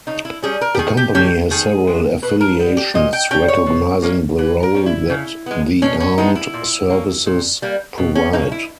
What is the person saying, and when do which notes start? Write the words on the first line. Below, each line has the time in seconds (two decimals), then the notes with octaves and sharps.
The Company has several affiliations recognising the role that the Armed Services provide.
0.07 C#3 D#4
0.25 E4
0.43 G3 C#4 G#4
0.61 A#4
0.75 G4
0.79 D#3 G#4
0.97 G4
1.15 A#3 C#4 G4
1.51 D#3 G#4
1.87 G#3 B3
2.22 B2 B4
2.41 A#4
2.59 G3 B3
2.77 G4
2.94 A#2 D#5
3.13 G5
3.31 G3 C#4 G5
3.48 C#5
3.66 B2
4.02 A#3 C#4
4.38 E3 B4
4.63 A#4
4.74 G3 C#4
4.86 E4
5.10 C#3
5.46 G#3 B3
5.82 B2 C#4
6.00 C#4
6.18 G#3 B3 D#4
6.35 E4
6.54 A#2
6.90 A#3 C#4
7.26 A#2
7.62 G3 A#3
7.98 B2
8.15 C#4
8.33 A#3 C#4 D#4
8.52 E4